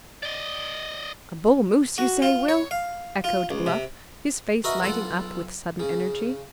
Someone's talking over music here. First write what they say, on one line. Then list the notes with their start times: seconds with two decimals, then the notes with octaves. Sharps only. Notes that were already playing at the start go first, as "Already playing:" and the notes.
"A bull moose, you say, Will?" echoed Bluff, his face lighting up with sudden energy.
0.23 D5 D#5
1.98 F#4
2.22 F4
2.48 C#5
2.71 F5
3.24 F4
3.51 C#2
3.66 C3
4.64 F#4 A#4 B4 D#5 E5
4.81 B1 F4 A4 F#5
5.80 C#3